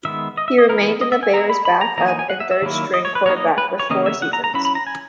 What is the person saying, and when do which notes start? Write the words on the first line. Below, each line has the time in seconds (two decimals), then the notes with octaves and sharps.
He remained the Bears' back-up and third-string quarterback for four seasons.
0.05 D#3 G#3 B3 E5
0.37 D#5
0.48 E5
0.58 D#5
0.69 E3 B3 E4 A#4
1.01 D#5
1.12 E5
1.23 G#5
1.33 G#3 B3 E4 A#5
1.50 B5
1.65 B5
1.81 A#5
1.97 E3 A#3 D#4 A#5
2.08 G#5
2.19 G#5
2.30 F#5
2.40 E5
2.51 E5
2.62 D#3 F#3 A#3 E4
2.94 D#5
3.05 C#5
3.15 B4
3.26 F#3 A#3 D#4 C#5
3.36 D#5
3.58 B4
3.79 C#5
3.90 C#3 E3 A#3 C#4 D#5
4.06 E5
4.22 F#5
4.33 A#5
4.44 A#5
4.54 F#3 C#4 E4 B5
4.65 B5
4.75 A#5
4.87 G#5